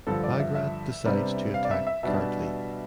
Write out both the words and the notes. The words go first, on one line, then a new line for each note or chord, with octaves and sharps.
Bagrat decides to attack Kartli.
G2 D3 F3 A4
D5
E5
E5
C3 G3 B3 D4
F5
D5
E5
E5
B2 G3 D4 E5